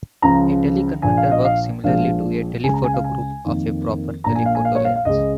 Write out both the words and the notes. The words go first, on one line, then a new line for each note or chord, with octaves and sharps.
A teleconverter works similarly to a "telephoto group" of a proper telephoto lens.
C#2 C#3 F3 A#5
A#1 A#2 F3 G#5
F5
D#5
F5
A#1 A#2 F3 G#3 F5
C#2 C#3 G#3 G#5
A#5
G#5
F5
G#5
F2 D#3 A#3
A#1 A#2 A#3 A#5
G#5
F5
G#5
F5
C#5
F5
F5
C#2 C#3 G#3 D#5